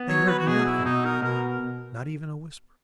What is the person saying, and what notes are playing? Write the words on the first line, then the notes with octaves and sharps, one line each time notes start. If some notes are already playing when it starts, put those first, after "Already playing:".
They heard nothing, not even a whisper.
Already playing: B3
F#3 C#5
B4
F#4
B2 G#4
E4
B2 D#4
A#4
B2 A#4